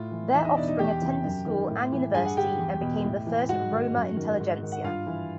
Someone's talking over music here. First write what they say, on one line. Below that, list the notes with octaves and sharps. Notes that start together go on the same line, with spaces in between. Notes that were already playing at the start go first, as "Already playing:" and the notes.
Their offspring attended school and university and became the first Roma-intelligentsia.
Already playing: A2 F4
E3
E2 E4 E5
D#4 D#5
B2 D4 D5
D#4 D#5
E2 G4 G5
C3 E3
F#2
D#3
A2
E3
G2 G#4 G#5
F#5
D3 G4 G5
E2
B2
A2
E3
G#2 F#4 F#5
D#3
F#2
D#3
G#2
D#3
F#5
G2 F4 F5
E3